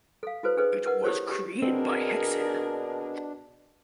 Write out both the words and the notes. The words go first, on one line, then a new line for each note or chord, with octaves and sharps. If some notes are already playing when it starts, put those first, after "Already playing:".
It was created by Hexen.
A4 F5
E4 F#4 A4 B4 C5
D4 G#4 A4 B4 C5 D#5
A#4 B4 D#5 F#5
E4 G4 A4 C5 C#5
G4
B2 C4 D4 G#4 A#4